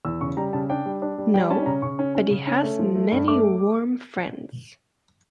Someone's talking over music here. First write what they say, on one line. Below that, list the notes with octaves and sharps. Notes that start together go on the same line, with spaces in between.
No; but he has many warm friends.
E2 E6
C#3 C#6
G3 A#5
C#3 A5
D4 G5
G3
D4
G3
G3 G5
C#4 A5
C#3 A#5
C#3 C#6
C#4
C#4
C#3
C#4
A3
F3
A3
G2
A3 D6